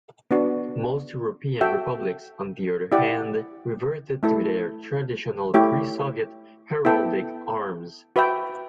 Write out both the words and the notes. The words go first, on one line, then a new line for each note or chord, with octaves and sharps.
Most European republics, on the other hand, reverted to their traditional pre-Soviet heraldic arms.
B3 D4 F#4
F#4 A4 E5 G5
E4 G4 D5 F#5
A3 E4 A4
A3 E4 G4 C#5
B3 E4 A4 E5 G5
F#4 B4 E5 G5